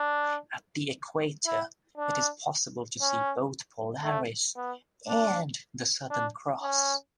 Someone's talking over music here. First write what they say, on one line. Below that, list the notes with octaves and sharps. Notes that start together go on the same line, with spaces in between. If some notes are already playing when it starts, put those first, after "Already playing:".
At the equator, it is possible to see both Polaris and the Southern Cross.
Already playing: D4
E4
D4
C#4
A3
B3
D4
D4
C#4